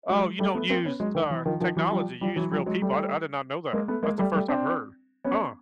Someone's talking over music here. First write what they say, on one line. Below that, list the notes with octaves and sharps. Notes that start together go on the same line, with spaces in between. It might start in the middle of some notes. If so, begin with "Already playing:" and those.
Oh, you don't use, uh, technology, you use real people. I I did not know that. That's the first I've heard. Huh.
F#3 G#3
G3 A3
A3 B3
A#3 C4
B3 C#4
F#3 G#3
D#3
E3
D#3 F3
D#3 F3
E3 F#3
F3 G3
F3 G3
E3 F#3
F3 G3
F#3 G#3
G3 A3
G#3 A#3
A3 B3
G#3 A#3
G3 A3
G3 A3
C4 D4
B3 C#4